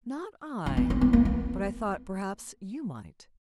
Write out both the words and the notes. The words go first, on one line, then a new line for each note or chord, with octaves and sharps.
'Not I. But I thought, perhaps, you might.
C#4
B3
C#4
B3
A#3
B3